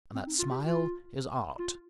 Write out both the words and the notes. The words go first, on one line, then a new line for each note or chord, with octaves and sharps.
And that smile is art.
C4
D#4
F4
G4
F4
F4